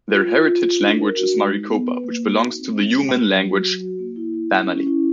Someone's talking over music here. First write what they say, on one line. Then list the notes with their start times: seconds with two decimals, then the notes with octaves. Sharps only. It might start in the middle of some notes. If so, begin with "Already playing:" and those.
Their heritage language is Maricopa, which belongs to the Yuman language family.
0.10 F4
0.28 F4
0.46 F4
0.64 F4
0.81 D4
0.99 A#4
1.17 F#4
1.34 G#3
1.52 D#4
1.69 B3
1.87 B4
2.04 A#3
2.23 F#4
2.40 D#4
2.58 C4
2.75 G#3
2.92 G4
3.11 G4
3.28 F#3
3.46 F#4
3.64 F#3
3.81 F#4
3.99 A#3
4.16 E4
4.34 E4
4.52 C#4
4.70 C#4
4.87 E4